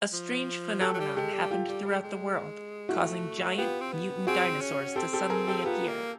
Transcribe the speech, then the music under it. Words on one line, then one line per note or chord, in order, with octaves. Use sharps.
A strange phenomenon happened throughout the world, causing giant, mutant dinosaurs to suddenly appear.
F3
F#3 G4 A4
F#3
G3
G#3 G4 A4
G3
F4 G4
G3
G#3
G#3
A3 E4 F#4
B3 F4 G4
C4
B3
C4 F#4 G#4
C#4
C4 G4 A4
G4 A4
G#4 A#4
G4 A4
B3 F4 G4
A#3